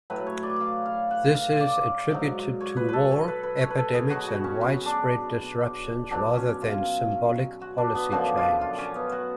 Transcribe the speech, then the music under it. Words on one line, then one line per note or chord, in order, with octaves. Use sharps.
This is attributed to war, epidemics and widespread disruptions rather than "symbolic policy change".
A2 F#3 B4
C#5
D5
F5
F5
F#5
F5
D5
G#2 F#3
C#5
B4
A4 B4
C#5
B4
B4
C#5
B4
A4
G#4
B2 F#3 F#4
F#4
C#4
C#4
D4
B2 F#3 D4
C#4
F4
F#4
D4
B3
F#2 D3 F3 F#4
F4
F4
C#4
B3
F#4